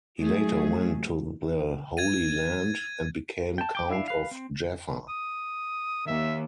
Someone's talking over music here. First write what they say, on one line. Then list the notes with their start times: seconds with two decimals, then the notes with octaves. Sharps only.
He later went to the Holy Land and became Count of Jaffa.
0.21 F#3 A3 G#4
1.97 G#6 A6 D#7
3.58 G5 A5
3.75 G5 D6
3.89 D4 E4 E5 F5
4.08 B4 F5
4.31 C4
5.09 D#6
6.07 D#2 E5